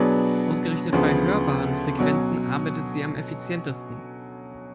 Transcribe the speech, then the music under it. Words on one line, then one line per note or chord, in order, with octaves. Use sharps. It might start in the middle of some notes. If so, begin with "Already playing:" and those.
Ausgerechnet bei hörbaren Frequenzen arbeitet sie am effizientesten.
Already playing: B2 F#3 B3 D4 G#4
D2 C#3 F3 B3
B2 F#3 C#4